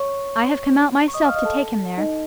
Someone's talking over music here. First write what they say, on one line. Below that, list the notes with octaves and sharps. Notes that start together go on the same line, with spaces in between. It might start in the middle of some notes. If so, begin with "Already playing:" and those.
I have come out myself to take him there.
Already playing: C#5 C#6
C#6
D#5 D#6
F5 F6
D#5 D#6
A4 A5
D#4 D#5